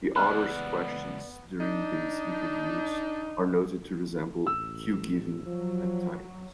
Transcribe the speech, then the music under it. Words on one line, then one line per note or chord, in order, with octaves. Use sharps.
The author's questions during these interviews are noted to resemble "cue-giving" at times.
C#2 E3 B3 D5 F6 F#6
D4 D#4
A1 E6
F3 F#3